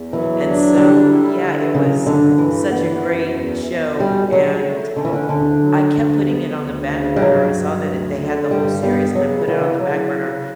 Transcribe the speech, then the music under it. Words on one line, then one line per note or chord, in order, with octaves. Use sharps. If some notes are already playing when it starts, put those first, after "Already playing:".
And so, yeah, it was such a great show, and w I kept putting it on the back burner. I saw that it they had the whole series, and I put it on the back burner,
Already playing: E2
E3 F#3
D4
D3 G3
E4
D3
C#3 F#3
G2 D3
G2 E3
E3 B3
F#2
E2
B2
G3 C#4
C#3 F#3
A3
D3 C#4
E3
D3
D2 D3
F#3
D2
B3
D2
C#3
G3
G2 F#3
G2
D2
D3
G2 G3
G3 B3
C#3 F#3
C#3 E3
C#3 F#3
C#3